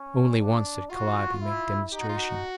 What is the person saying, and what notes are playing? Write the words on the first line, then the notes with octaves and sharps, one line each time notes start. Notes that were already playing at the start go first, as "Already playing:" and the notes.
Only once did Calliope make demonstration.
Already playing: C#4
D4
F4 F#4
E4
D#4 G4
F#4
F4
F#4